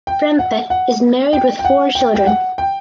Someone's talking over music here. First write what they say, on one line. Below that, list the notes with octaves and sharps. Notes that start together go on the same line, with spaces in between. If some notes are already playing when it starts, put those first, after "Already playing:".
Prempeh is married with four children.
G5
F#5
F#5
G5
G5
F#5
G5
G5
F#5
G5